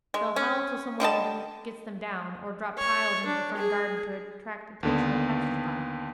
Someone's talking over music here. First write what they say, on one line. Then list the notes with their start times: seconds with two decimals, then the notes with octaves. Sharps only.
They'll howl till some one gets them down, or drop tiles into the front garden to attract attention of passersby.
0.14 G#3
0.36 C#4
1.00 D3 G3 D#5 A5
2.78 C#5
3.26 D4
3.57 G#4
4.83 D#2 D3 B3